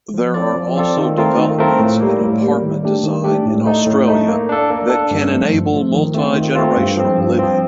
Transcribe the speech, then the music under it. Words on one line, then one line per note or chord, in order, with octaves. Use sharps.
There are also developments in apartment design in Australia that can enable multigenerational living.
F3
C4 F4 A4 D5
F3
C4 F4 A4 D5
D#3
A3 C4 F4 A#4
D#3
A3 C4 F4 A#4
A2
G3 A#3
A2
G3 A#3
D#3
A3 D4 G4
D#3
A3 D4 G4
A2
A3 D#4
A2
A3 D#4
A#3
D4 A4
A#3
D4 A4
G2
F3 A3
G2
F3 A3
D#3
A3 C4 F4
D#3
A3 C4 F4
G2
F3 C4
G2
F3 C4